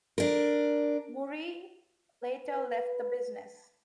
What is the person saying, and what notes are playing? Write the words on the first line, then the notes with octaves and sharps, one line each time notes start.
Murrie later left the business.
D4 A#4
B4